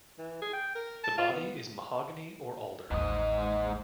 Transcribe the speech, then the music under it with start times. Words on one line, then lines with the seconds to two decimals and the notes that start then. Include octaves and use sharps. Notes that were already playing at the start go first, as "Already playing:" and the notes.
The body is mahogany or alder.
0.18 E3
0.41 G#4
0.53 G5
0.75 A#4
1.04 A5
1.17 F4
1.32 B3
2.91 A1 D#2 G#2 D#5